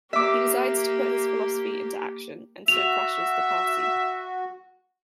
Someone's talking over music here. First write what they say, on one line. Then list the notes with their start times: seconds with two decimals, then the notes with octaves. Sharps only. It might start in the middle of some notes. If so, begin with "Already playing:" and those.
He decides to put his philosophy into action, and so crashes the party.
0.13 A#3 G4 E5 D6
2.68 F#4 E5 F7